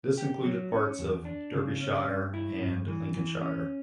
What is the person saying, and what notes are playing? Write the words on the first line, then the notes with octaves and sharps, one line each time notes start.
This included parts of Derbyshire and Lincolnshire.
G4
F#3
C#4
E2
D4
C#3
C#4
G2
E4
G2
E3
E3
C#4